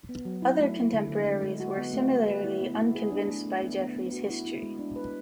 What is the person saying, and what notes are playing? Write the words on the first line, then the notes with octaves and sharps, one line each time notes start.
Other contemporaries were similarly unconvinced by Geoffrey's "History".
B3
F#3
E4
A3
E4
D3
D3
G#3
G#3
F#4
B3
A3
A3
B4
E4
B3
E4
G#4
D4
A3
A3
B3
B3
B3
F#4
E4
E4
G#3
D4
B4